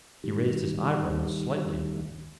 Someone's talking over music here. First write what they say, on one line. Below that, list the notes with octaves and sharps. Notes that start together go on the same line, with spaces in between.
He raised his eyebrows slightly at that.
D#3 G3